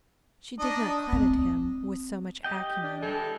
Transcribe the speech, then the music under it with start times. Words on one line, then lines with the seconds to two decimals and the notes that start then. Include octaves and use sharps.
She did not credit him with so much acumen.
0.59 D4 D#4 D#5
1.13 C4
2.44 G4 D#5 G5
2.83 D4
3.03 E3 G#3 G4 A4